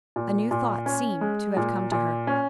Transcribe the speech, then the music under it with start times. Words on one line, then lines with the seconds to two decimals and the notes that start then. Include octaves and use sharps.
A new thought seemed to have come to her.
0.16 A#2
0.51 A#2
0.86 C#4
1.21 G#3
1.57 A#2
1.92 A#2
2.27 C#4